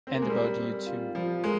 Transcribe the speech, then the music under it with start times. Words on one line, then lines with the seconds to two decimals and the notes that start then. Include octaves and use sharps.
And about you too!
0.07 C4
0.14 A#3
0.22 G#3
0.29 G3 A#4
0.58 C4
0.86 F4
1.15 F3 G3
1.44 G#3 A#4